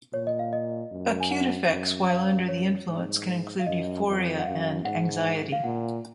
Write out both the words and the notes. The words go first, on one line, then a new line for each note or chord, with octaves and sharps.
Acute effects while under the influence can include euphoria and anxiety.
A#2 C#5
D#5
F5
D#5
F#2
G#5
F#5
F#2
F#2 F5
C#5
G#2
F5
F#2 D#5
F2
F#5
F#2 F5
G#2 F#5
F5
A#2 F#5